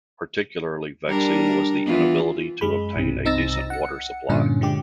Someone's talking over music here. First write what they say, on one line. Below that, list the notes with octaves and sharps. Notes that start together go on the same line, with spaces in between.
Particularly vexing was the inability to obtain a decent water supply.
G3 D4 A#4
E3 B3 F4
F#2 G#3 B5
B1 G2 C3
C2 C4 D#4 E6 A6 A#6
F#5 C#7
G2 A#2 D3 C#4 F4
D3 G#3 G4 D6